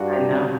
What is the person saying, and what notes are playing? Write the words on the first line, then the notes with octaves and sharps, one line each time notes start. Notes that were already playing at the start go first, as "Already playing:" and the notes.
I know.
Already playing: G2 F4 F#4
G4